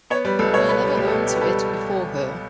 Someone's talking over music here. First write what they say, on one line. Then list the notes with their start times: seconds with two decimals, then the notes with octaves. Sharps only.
But I never own to it before her.
0.10 B3 C#5
0.25 G3 B4
0.39 C#2 A4
0.54 B2 C#5
0.69 B3 B4
0.83 G3 B4
0.97 C#2 G4
1.07 A4
1.12 B2
1.26 B3 G4
1.36 B4
1.41 G3 A4